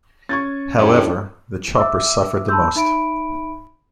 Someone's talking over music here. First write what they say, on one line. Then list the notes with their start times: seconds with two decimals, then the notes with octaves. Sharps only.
However, the Choppers suffered the most.
0.29 C#4 C#6 G#6 A6
0.79 F#2 D#3 G3 C#4 D4 E4 A4 C#5
1.77 E5 D6 E6
2.49 A5 B5 C6 E6 G6
2.76 D#4 E5 B5 D7